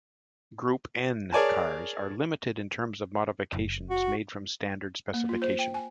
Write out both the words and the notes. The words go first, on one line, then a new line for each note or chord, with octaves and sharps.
Group N cars are limited in terms of modifications made from standard specification.
G#4 A#4 C#5 D5 G#5 A5
F#1
F#4
A#3
F4
C5
G5
G#5